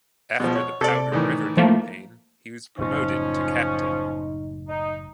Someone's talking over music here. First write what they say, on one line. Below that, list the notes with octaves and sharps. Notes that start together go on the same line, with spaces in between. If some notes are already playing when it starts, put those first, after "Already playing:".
After the Powder River campaign he was promoted to captain.
B2 F3
C#5
C3 A4 D5
A2 D#3 E3
F3 A3 A#3
F#1 A2 F3 C#4 D#4
D#4